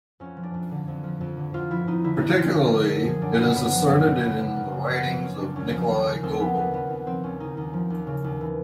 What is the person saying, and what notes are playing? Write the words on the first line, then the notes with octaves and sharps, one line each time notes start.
Particularly, it is asserted in the writings of Nikolai Gogol.
F2 C#4
F3
D4
F2
D3
F2
F3
F2
D3
F2 F4
F3 E4
F2 D#4
D3 E4
F2 D#4 E4
F3 F4
F2 A4
D3 A#4
F#2 A4
F3 G#4
F#2 D4
C#3 B3
F#2 B3
F3
F#2
C#3
F#2 B3
F3 B3
F#2 A#3
C#3 A#3
F#2 B3
F3 C4
F#2 C#4
C#3 D4
D#2 C#4
F3
D#2
C#3
D#2 C4
F3 B3
D#2 B3
C#3 B3
D#2 B3
F3 C4
D#2 C#4
C#3 D#4
D#2 D#4
F3
D#2
C#3
D#2
E3